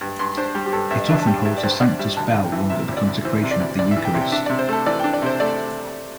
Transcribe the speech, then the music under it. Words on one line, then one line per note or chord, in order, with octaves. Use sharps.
It often holds the Sanctus bell rung at the consecration of the eucharist.
G2
G2 C6
D4 C5
G3 G4
G4
G2 A4
G2 E5
D4 E5
A5
G3 G5
G2 E5
D5
G2 C5
D4 D5
G3 E5
D2 A5
D2
G5
E3
C3 E5
D2
D5
D2
E3 C5
C3
D5
D2
D2 D5
E5
E3
G5
C3
G5
D4 E5
D5
C3
C5
A3 A4
E3 D5
G5
D4
D5
C3 C5
A3 D5